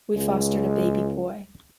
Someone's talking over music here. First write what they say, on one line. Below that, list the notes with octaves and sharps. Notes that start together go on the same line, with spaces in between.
We fostered a baby boy.
C#2 G#3